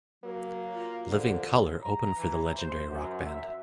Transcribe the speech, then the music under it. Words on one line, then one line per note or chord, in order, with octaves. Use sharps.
Living Color opened for the legendary rock band.
F#3 A#3
F4
D3 F3
A#5
E3
C5
F#2
E5